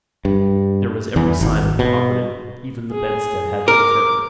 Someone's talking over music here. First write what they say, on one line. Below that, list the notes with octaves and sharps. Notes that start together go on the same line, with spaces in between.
There was every sign of poverty; even the bedstead had no curtain.
G2
E2 E3
G#1
B2
G#4
A#4 D6